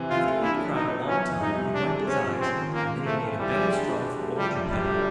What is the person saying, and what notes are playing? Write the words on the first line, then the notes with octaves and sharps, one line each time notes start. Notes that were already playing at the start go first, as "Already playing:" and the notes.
After he had cried a long time, he wiped his eyes and then he made a bed of straw for old Geppetto.
Already playing: C3 E3 C4
E4 F4
A3
D4 E4
F#3
F#3 D#4
B3
E3 C#4
F2
G3 D#4
C3
G#3 D4
D3
C4 C#4
F3
C4 C#4
D#3
A#3 F4
G#3
A3 C4
E3
G3 E4
G#3
D4
F#3
G4
A3
F3 G3
F#2
F#2 G3
D3